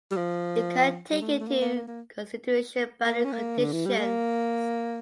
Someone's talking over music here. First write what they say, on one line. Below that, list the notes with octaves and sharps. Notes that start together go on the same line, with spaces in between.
It can take into consideration boundary conditions.
G3
F3
G3
A3
A3
A#3
A#3
A#3
A#3
A#3
C#4
A#3
D3
E3
G3
A#3